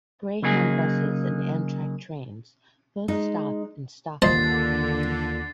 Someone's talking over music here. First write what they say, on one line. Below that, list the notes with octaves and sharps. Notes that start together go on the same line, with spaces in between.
Greyhound buses and Amtrak trains both stop in Stockton.
C#3 F#3 A#3 D#4 G#4
G#3 D#4
D#2 D3 F4 C5 D#5 A5 A6 C7